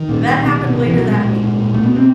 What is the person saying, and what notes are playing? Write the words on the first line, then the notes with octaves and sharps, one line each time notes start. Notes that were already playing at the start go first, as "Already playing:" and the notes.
that happened later that week,
Already playing: D#3
A#2
A#2
B2
B2
B2
B2 E3
F#3
A#2 G#3
A#2
A#2
A#2
B2 A3
B3
B2
C4